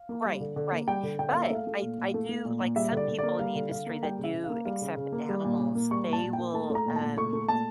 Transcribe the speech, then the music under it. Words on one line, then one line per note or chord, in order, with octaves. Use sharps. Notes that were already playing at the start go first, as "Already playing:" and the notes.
Right, right, but I I do like, some people in the industry that do accept animals, they will, um
Already playing: F5
A#3
G3
D3
D3
A#3
G3 G5
D3
D3 G5
A#3 F5
E5
A3 F5
A3
A#2
A#2
A3
A3
A#2
A#2
G3 E5
D3
D5
D3
A#3 D5
G3 F5
D3
D3 F5
A#3
G3 G5
C#3
E5
C#3
F5
A#3
G3 F5
C#3
C#3
A#3
G3
A#2
A#2
A#3
G3 C#6
A#2
A5
A#2
G5
A#3
A3 A5
A3
A#5
A#2
A5
A#2
A3 C#6
A3
A#2 A5